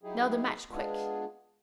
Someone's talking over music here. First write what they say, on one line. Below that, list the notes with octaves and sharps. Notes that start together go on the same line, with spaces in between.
Now the match, quick!
F#3 D#4 E4 G4 G#4
G#3 B3 D4 F4 G#4